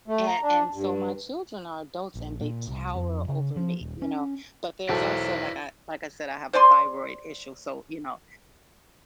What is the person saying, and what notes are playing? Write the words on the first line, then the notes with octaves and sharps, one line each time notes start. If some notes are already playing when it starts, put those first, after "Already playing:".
a and so my children are adults and they tower over me, you know, but, there's also, like, I like I said, I have a thyroid issue, so, you know,
A3
A#5
D4
G2
A#1
A#2
C2
F2
C#3
F3
D#1
C#4
B1 E2 E4 F#4 A4 B4 C5 D5
C5 D5 G#5 C6